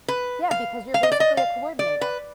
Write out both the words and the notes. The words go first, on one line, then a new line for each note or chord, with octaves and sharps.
Yeah, because you're basically a coordinator.
B4
F5
F5
D#5
D5
D#5
F5
D5
B4